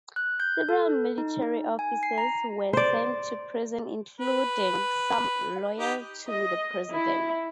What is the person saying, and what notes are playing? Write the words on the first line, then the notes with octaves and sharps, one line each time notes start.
Several military officers were sent to prison, including some loyal to the president.
F#6
G6
A4
D#4
G#5
C7
A#5
C5 D5
B4
D#4 G4
D#5
E4